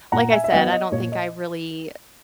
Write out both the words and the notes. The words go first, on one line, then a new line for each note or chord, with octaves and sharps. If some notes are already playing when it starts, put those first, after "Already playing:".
like I said, I don't think I really
A#2 F#5 A#5
E5 G#5
E5
F#3 B3 D#5 F#5
D#5
A#2 C#5
D#5